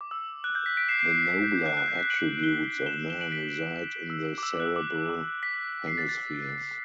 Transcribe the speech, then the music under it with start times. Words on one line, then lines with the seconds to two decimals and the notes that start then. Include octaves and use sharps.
The nobler attributes of man reside in the cerebral hemispheres.
0.01 D6
0.11 E6
0.44 F#6
0.55 G6
0.66 B6
0.77 B6 D7
0.89 C7 E7
0.99 C7 E7
1.11 C7
1.44 G6
1.55 G6
1.66 F#6
1.77 F#6
1.88 G6
1.99 B6
2.10 D7 F#7
2.43 G7
2.65 G7
2.86 E7 G7
3.10 E7 G7
3.21 D7 F#7
3.32 B6 D7
3.76 F#6
4.10 E6
4.38 D6
4.43 E6
4.54 D6
4.60 F#6
4.65 E6
4.76 D6
5.09 D6
5.43 B6
5.87 C7
5.98 A6
6.09 A6